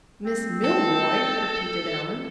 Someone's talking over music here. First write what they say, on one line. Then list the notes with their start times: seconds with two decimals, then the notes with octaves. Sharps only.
"Miss Milroy!" repeated Allan.
0.24 C4
0.64 A4